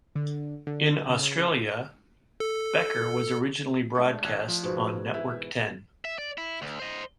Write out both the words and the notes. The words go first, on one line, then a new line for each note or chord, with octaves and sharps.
In Australia, "Becker" was originally broadcast on Network Ten.
D3
D3
C#3
A4
G#3 A3 D4
A1 F#6 G#6
F3
G#2 B2
E3 E5
E5
D5
E4
D2
C5 D#5